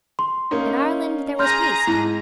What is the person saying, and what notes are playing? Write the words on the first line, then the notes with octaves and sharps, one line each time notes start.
In Ireland there was peace.
C6
A#3 C#4 D#4
G#4 A#5 C6 F6 G6 A#6
G#2 E4